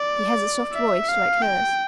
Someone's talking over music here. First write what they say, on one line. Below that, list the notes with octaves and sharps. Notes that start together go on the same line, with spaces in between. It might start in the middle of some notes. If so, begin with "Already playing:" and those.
He has a soft voice, like hers.
Already playing: D5
E5
F5
G5